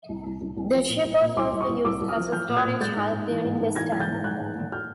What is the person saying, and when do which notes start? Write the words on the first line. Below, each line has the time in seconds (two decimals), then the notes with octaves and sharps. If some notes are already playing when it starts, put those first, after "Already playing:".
The ship was also used as a storage hulk during this time.
0.09 C2
0.26 C2
0.41 C2
0.57 C2
0.73 F3
0.89 A#2
1.05 C2
1.21 A#2
1.37 C2 C6 D6
1.53 C2
1.61 C#6 D#6
1.69 C2
1.85 C2 D6 E6
2.01 C2
2.08 D#6 F6
2.17 F3
2.32 F3 F6 G6
2.48 A#2
2.57 F#6 G#6
2.64 A#2
2.80 G#3 G6 A6
2.96 G#2
3.12 G#2
3.28 E3
3.44 G#2
3.60 G#2
3.75 E3 G#6 A#6
3.92 E3 G#6
3.99 G6 A6
4.07 G#2
4.23 G#3 F#6 G#6
4.40 G#2
4.55 G#2
4.72 F6 G6